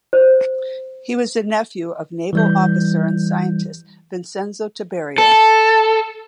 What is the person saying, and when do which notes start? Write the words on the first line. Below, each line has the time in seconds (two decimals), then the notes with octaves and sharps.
He was the nephew of naval officer and scientist Vincenzo Tiberio.
0.13 C5
2.33 E3 G3 G6
5.18 A4